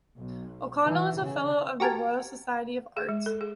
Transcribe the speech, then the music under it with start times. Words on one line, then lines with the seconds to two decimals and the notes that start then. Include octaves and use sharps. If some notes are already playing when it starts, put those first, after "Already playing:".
O'Connell is a Fellow of the Royal Society of Arts.
0.16 B1
0.84 E3
1.20 C#3
1.80 F#4 G4 A#4 G#5 A5
2.97 G#4
3.09 G#3
3.26 A4
3.41 G#4